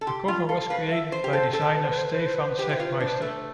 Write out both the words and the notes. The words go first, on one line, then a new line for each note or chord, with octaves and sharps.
The cover was created by designer Stefan Sagmeister.
A4
G4 C6
F4 C6
A4 F5
B4 F5
E5
C5
G4
A4 C5
A4
B4
C5
B4
C5
B4
C5
B4
C5
B4
C5
B4
C5
G4 B4
E4 C5
B4
F4
C5
B4
D4 C5
B4
C5
A3 B4